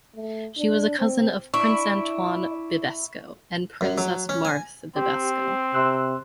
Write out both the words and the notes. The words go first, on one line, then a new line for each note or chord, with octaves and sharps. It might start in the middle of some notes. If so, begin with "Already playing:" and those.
She was a cousin of Prince Antoine Bibesco and Princess Marthe Bibesco.
A3
D4
C4
D4 E4 C#6
F#2
F#3
C#4
G#5
C4 G4
C3 C6 E6 F#6